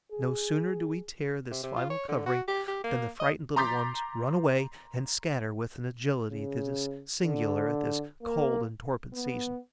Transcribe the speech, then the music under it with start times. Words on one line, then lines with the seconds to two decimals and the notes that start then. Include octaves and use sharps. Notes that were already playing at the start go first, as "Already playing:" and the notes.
No sooner do we tear this final covering than the frightened little ones run away and scatter with an agility that is singular at this cold and torpid season.
0.12 G#4
1.51 C3
1.63 C3
1.77 F4
1.90 C#5
2.08 D3
2.26 F#4
2.48 G4
2.68 G4
2.84 A#3
3.20 D#5
3.56 A#5 C6 D6 G6 A6 B6
6.30 C#3
7.23 D3
8.23 A#3
9.13 B3